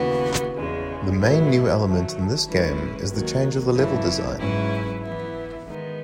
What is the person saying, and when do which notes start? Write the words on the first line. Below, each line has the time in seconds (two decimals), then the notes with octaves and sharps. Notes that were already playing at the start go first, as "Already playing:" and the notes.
The main new element in this game is the change of the level design.
Already playing: D#2 C#3 E3 B3 F#4
0.55 E2 C#3 G#3
1.18 A2 F#3 B3 E4
1.82 D#3 F#3 A3
2.46 E3 G#3 C#4 E4 B4
3.10 D#2 D#3 F#3
3.74 F#2 C#3 E3 A3 E4
4.38 G#2 F#3 C#4 E4 B4
5.02 E3 B3 E4
5.65 D#3 G#3 B3 D#4